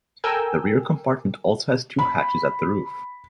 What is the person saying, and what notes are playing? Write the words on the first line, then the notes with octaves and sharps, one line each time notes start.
The rear compartment also has two hatches at the roof.
A4 A#4 G5 G#5 E6 G6
B5